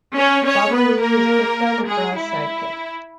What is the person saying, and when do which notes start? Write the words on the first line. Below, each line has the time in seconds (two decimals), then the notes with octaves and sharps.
Baba Looey is Quick Draw McGraw's sidekick.
0.16 C#4 C#5
0.44 C#4 C#5
0.73 B3 B4
1.02 A#3 A#4
1.87 G#3 G#4
2.16 E4